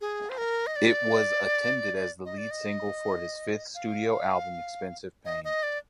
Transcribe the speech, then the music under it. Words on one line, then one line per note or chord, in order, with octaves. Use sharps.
It was attended as the lead single for his fifth studio album Expensive Pain.
G#4
C5
A#4
D#5
D5
D#5
D5
D#5
F5
D#5
D#5
D5